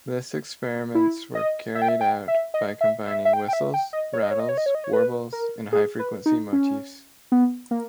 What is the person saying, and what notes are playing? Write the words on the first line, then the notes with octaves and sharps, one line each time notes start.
This experiments were carried out by combining whistles, rattles, warbles, and high-frequency motifs.
E4
D#5
E5
G5
E5
G5
E5
D#5
E5
E5
E5
G5
G5
E5
G5
D#5
C#5
D#5
C#5
D#5
C#5
D#5
C#5
D#5
C#5
B4
A#4
G#4
B4
D#4
C#4
B3
A#3